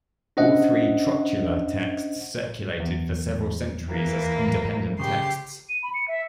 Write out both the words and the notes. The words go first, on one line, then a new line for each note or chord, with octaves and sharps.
All three "Trotula" texts circulated for several centuries as independent texts.
C#4 D4 C5 D#5 E5 F#5
E2
E3 A#3
C#3 G4 C6
D#7
B5
C#7
E5